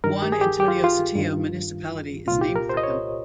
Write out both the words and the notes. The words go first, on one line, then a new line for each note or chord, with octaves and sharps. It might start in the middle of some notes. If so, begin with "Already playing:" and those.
Juan Antonio Sotillo Municipality is named for him.
G2 D#3 A#4
G4
G#4
G4
G4
F4
F4
G2 D#3
C2 A#2 F4
G4
A#4
C5
D#5
C#5